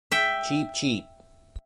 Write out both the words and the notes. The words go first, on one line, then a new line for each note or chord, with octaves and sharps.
Cheap, cheap.
E5 G5